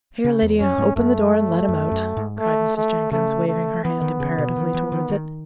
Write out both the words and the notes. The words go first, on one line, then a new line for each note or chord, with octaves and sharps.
"Here, Lydia, open the door and let him out," cried Mrs. Jenkins, waving her hand imperatively towards it.
C#3
E2
F#2 C#4
G#2
F#2 A3
F#2
F#2
G#2
A3
A3
C#3 A3
A3
E3 B3
D#3
C#3
B2
D#3
E3
D#3
D#3